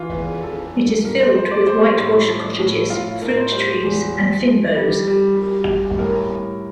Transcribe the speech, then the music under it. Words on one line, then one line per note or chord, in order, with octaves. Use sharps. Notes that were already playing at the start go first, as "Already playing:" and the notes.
It is filled with whitewashed cottages, fruit trees and fynbos.
Already playing: E3 F4
E2
E3 A4
G2
A#2 A#4
C5
F3 C5
D5
G3 C5
A2
F3
A2
A2 F4
A2 A#4
C5
G3 C5
E2
F3
F3
G3
G3
G3
G3
A2 A#4
A2